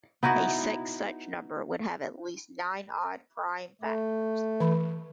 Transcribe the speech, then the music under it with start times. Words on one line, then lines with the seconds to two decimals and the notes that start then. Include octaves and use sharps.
A sixth such number would have at least nine odd prime factors.
0.23 B3 D#4 E4 F#4
3.82 A3
4.60 E3 B5